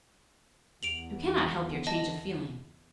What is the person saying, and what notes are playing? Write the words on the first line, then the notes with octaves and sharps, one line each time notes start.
You cannot help your change of feeling.
E2 D7 F7 F#7
D#5 A5 A#6